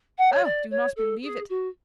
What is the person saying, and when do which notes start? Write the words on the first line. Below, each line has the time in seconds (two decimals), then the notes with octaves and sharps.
Oh! do not believe it!
0.17 F#5
0.32 C#5
0.44 D5
0.70 C#5
0.96 A4
1.22 G#4
1.49 F#4